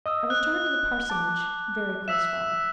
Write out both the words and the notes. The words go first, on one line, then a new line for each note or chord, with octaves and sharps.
I returned to the parsonage, very crestfallen.
D#5 D#6 E6
F#6
A5 D6
E5 E6 B6 E7